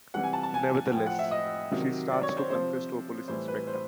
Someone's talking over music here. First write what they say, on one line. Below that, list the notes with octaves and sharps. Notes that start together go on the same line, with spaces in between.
Nevertheless, she starts to confess to a police inspector.
C3 E3 G3 F#5
G#5
A5
A5
G#5
A2 F3 G5
F#5
E5
D#5
C3 D#3 F#3
D5
C#5
C5
C3 F3 C5
A2 E3 G3 C5
B4
C5